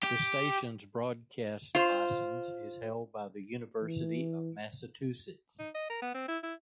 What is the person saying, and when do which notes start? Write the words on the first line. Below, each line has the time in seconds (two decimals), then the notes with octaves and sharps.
The station's broadcast license is held by the University of Massachusetts.
0.03 G4
1.75 F4 C5
3.82 E3
5.59 D#4
5.75 D#5
5.90 A#4
6.02 B3
6.14 C4
6.28 E4
6.43 E4